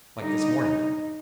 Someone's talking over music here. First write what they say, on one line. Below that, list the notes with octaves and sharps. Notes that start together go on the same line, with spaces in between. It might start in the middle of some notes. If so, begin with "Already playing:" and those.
"Like this morning."
D3 G3 D#4